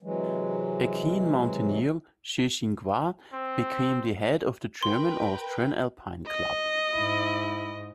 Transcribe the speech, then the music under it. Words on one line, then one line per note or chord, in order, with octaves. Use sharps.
A keen mountaineer, Seyss-Inquart became the head of the German-Austrian Alpine Club.
C3 E3 F#3 G#3
C4
A#4 B4 G5 C6
D#5
G#2 E4